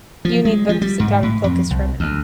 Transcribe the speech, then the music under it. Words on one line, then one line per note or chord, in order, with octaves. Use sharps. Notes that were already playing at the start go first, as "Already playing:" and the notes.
you need them to sit down and focus for a minute.
F3
G#3
F3
G3
G#2
A2
F2
C2
D2